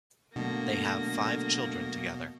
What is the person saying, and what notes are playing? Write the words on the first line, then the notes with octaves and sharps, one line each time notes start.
They have five children together.
B2 D3 F#3 A3 A#3 A4 A#6